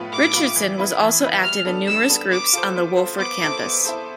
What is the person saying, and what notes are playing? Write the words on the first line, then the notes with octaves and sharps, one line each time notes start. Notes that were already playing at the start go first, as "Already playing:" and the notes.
Richardson was also active in numerous groups on the Wofford campus.
Already playing: A2 F3 B3 F4 B4
A2 D6
F3 B3 F4 B4
E3
B3 E4 B4
E3
B3 E4 B4
G3 F6
B3 D4 A4
G3 E6
B3 D4 A4
B3 D6
F4 A4 C5
B3
F4 A4 C5
B3 D6
E4 A4 C5
B3
E4 A4 C5